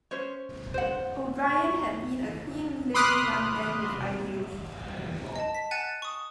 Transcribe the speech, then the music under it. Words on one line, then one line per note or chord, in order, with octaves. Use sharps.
O'Brien had been a clean living young man with ideals.
C#4 C5 C#5
C5 F#5
C#6
B5 C6 D6 D#6 F6 F#6
D#5 A5
B6
F#5 G#5 F#6 A6 C#7 E7
C#6 D#6